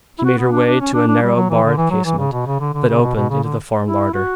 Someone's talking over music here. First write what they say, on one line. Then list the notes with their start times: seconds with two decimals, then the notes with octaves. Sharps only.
She made her way to a narrow barred casement that opened into the farm larder.
0.19 E4
0.25 F#4
0.38 B3
0.51 D4
0.66 D4
0.80 C#4
0.94 D4
1.08 D4
1.22 G3
1.36 F#3
1.50 E3
1.63 D3
1.77 E3
1.90 F#3
2.05 E3
2.18 C#3
2.32 B2
2.46 C#3
2.60 D3
2.74 D3
2.88 C#3
3.01 B2
3.15 B2
3.30 C#3
3.44 D3
3.86 E4
4.13 F#4